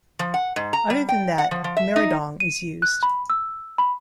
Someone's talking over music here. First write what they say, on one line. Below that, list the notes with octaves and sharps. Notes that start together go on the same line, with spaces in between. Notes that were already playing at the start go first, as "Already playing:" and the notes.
Other than that, "Meradong" is used.
F3
F#5
G#2
A#5
G3
G5
F#5
F3
F3
E5
D#4
D#7
F#6
B5
E6
B5